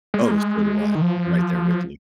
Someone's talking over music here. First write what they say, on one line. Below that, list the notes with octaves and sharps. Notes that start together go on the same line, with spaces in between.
Oh, so do I, right there with you.
G#3
A#3
G#3
D#3
F3